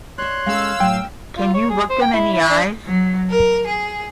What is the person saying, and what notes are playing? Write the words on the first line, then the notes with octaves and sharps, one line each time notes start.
Can you look them in the eyes?
C#5 D5 E5 C6 F#6
G#3 C#4 A4 F5 E6
A2 F#3 G5
F4
C#5
G#4
C5
G5
E4
E4
D4
F#3
A#4
G#4